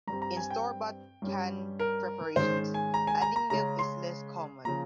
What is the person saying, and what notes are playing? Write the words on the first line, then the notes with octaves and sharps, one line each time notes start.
In store-bought canned preparations, adding milk is less common.
G2 G3 C4 A#5
A#5
G#5
G5
G2 G3 C#4
A#4
G#2 D#3 G#3 C#4 C5
G#5
A#5
G#5
A#5
A#5
C#3 G#3 C#4 A#5
C6
C#3 F3 A#3 A#5